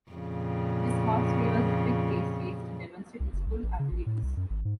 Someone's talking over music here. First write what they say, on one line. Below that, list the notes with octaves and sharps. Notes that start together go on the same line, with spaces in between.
This horse favors a quick pace race to demonstrate its full abilities.
F2 A#2 C#3
C2
F#1
B1
A1
C#3
A1
A2
C2
F#2
G#1
G#2